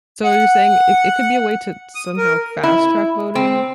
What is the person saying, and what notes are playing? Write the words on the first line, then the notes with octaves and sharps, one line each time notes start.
so, you're saying it it could be a way to somehow fast-track voting?
F#5
D#6
A#4
E4
C4